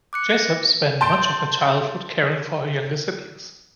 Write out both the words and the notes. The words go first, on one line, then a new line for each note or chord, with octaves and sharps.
Jessop spent much of her childhood caring for her younger siblings.
D6 F#6 C#7
A6 A#6
A5 C6 G6 D7